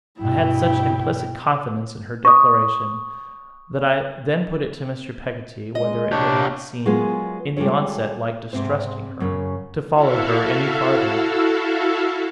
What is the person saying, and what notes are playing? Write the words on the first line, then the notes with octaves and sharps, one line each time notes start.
I had such implicit confidence in her declaration, that I then put it to Mr. Peggotty, whether it would not seem, in the onset, like distrusting her, to follow her any farther.
G2 B2 E4 G5
C#6 D#6
G#3 D#5
C3 D4 G4 C#5
F#3 G#3 A#3 B3 F4 G#4
G3 G#3 F4 A4 C#5
G#2 C3 C4 C5
F#2 C#3 C#4
E4 F#4 A4 E5 F5